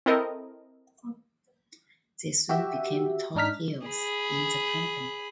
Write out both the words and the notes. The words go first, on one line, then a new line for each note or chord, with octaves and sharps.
They soon became top heels in the company.
C4 E4 A4 A#4 D#5
F#4 G4 E5
G#2 D4 D#4 F6 B6
G#4 B5